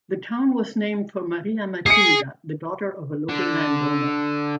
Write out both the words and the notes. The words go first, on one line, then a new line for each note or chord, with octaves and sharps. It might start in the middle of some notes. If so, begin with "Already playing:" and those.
The town was named for Maria Matilda, the daughter of a local landowner.
G#4 C7 C#7
D3